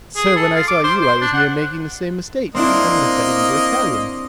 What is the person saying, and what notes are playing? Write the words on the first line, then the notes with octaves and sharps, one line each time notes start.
"Sir, when I saw you, I was near making the same mistake; I would have betted you were Italian."
G#4
A4
F4
D6
C5
C5
D4
F#5
A#3 C4 D4 E4 D#5